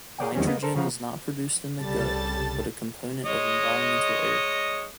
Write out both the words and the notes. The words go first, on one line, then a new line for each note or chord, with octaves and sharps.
Nitrogen is not produced in the gut, but a component of environmental air.
G#4 A#4 C#5 D5 F#5 G5
E2 D#3 G3 C4 C#4
A#3 B3 D#5
A4 A#4 C5
C#3 F3 F#5 A#5
C2 C#3 G3 A4 A5 A6
G#3 C#5 D#5